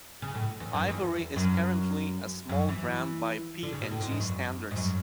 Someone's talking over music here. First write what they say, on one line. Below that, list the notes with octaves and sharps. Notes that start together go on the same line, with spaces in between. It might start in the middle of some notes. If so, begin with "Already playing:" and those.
Ivory is currently a small brand by P and G standards.
C#3
A2
E2
F#2
E2
F#2
F#2
E3
D3
C#3
B2
A2
G#2
E2
F#2
G#2
F#2